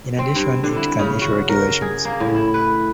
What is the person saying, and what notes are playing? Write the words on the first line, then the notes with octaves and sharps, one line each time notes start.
In addition, it can issue regulations.
C4
G2
D3
E4
C#3
F#4
A#4
G#4
A#3
A2
E4
B4